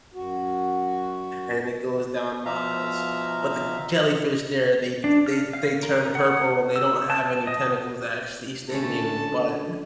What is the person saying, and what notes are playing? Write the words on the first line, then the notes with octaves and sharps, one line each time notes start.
and it goes down miles, but the jellyfish there, they they they turn purple, and they don't have any tentacles that actually sting you, but
F#2 F#4
B2 F3 E5 F5 A#5
D4
F6
F5
A#4
F#5
E6
A5
D#5
D3 A3 C#4 A5